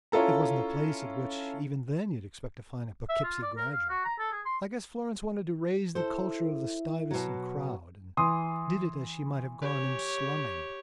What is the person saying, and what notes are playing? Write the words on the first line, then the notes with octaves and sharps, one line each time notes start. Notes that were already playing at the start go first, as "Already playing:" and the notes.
It wasn't the place at which, even then, you expected to find a Poughkeepsie graduate. I guess Florence wanted to raise the culture of the Stuyvesant crowd and did it as she might have gone in slumming.
C#4 E4 F4 A4 A#5
E5
F4
D5
A#4
F5
F#4
A#5
A4
G#4
C6
E4 A4 C5
B2 F#3
E3 C6 D#6
G4 C#5